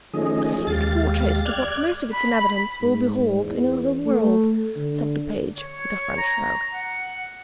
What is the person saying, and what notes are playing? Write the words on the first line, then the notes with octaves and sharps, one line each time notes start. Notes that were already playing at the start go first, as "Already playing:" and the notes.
"A slight foretaste of what most of its inhabitants will behold in another world," said the page, with a French shrug.
D#3 F3 A3 C#4 G#4 D#5
D#2 G#3 G4 F5 A6
D5 F6 F#6 G#6
B5
G#2
E2
A3
D3
C#5
A#5
F#5